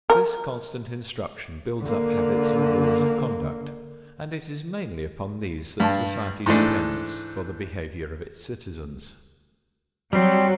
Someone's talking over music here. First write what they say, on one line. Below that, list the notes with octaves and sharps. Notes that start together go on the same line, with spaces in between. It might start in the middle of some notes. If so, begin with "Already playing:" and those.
This constant instruction builds up habits and rules of conduct, and it is mainly upon these that society depends for the behavior of its citizens.
A#4
D3 A#3
G2 A5
G#2 E3 A3 D4
F#3 G3 C4